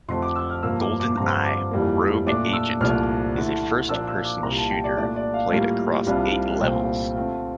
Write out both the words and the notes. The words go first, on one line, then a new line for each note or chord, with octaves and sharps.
"GoldenEye: Rogue Agent" is a first-person shooter, played across eight levels.
F2 D3 A3 C4 C6
D6
E6
F6
G2 F3 A#3 E6
D6
D6
G2 D3 F3 C4 F4 A#5
D6
F2 E3 G3 A#3
A#2 A3 D4 D6
E6
C2 A#2 F3 A3 D4 F6
D3 A3 E4
A#2 F3 A#3 D4 F4 E6
E6
D6
C2 A#2 G3 A#3 A#5
A5
G5
D5
A#2 A3 D4 D5
D5
F5
A2 G3 A#3 F4
C2 C3 G3 D4 F4
C2 A#2 A3 C4 F4 G5
D3 A3 C4 F4